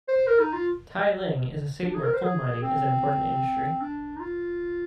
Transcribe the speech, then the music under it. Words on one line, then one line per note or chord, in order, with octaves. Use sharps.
Tieling is a city where coal mining is an important industry.
C5
A#4
D#4
F4
D4
G#4
A#4
C5
G#4
C4
D4
D#4
F4